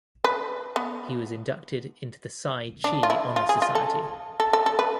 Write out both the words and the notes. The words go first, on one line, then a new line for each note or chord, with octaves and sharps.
He was inducted into the Psi Chi honour society.
B4
B3
D4
F4
E4
F4
G#4
F4
A4
A4
A4
A4
B4